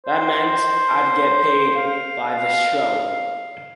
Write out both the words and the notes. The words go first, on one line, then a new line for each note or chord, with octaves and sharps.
That meant I'd get paid by the show.
C5
F5